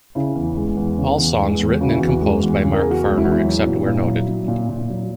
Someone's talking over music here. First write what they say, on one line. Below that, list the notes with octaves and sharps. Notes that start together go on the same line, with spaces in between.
All songs written and composed by Mark Farner, except where noted.
C#3 E4
E2
G#3
E2
C#3
E2
G#3
E2
C#3 F#4
E4
E2 F#4
G#3
E2
C#3
A#4
E2 G#4
F#4
G#3
E4
E2 F#4
E4
F#3
A#2
A#2
F#3
F#3
A#2
A#2
F#3